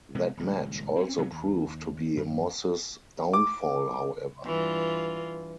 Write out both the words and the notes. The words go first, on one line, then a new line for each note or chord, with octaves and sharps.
That match also proved to be Moss's downfall, however.
C3 G#3 B3
D#1 C#2
C4 C#4
C3 F#3 B3
D#2
F#2
D6
G2 E3 F4